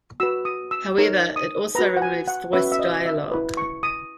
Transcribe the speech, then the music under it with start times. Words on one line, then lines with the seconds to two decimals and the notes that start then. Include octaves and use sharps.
However, it also removes voice dialogue.
0.20 F#4 B4 E6
0.45 D#6
0.71 E6
0.98 D#4 A#4 C#5
1.36 D#6
1.75 F#4 B4 A#5
1.97 F#5
2.02 G#5
2.28 F#5
2.53 C#4 F#4 B4 E5
2.72 E5
2.79 D#5
3.05 E5
3.31 E4 B4
3.57 C#6
3.83 D#6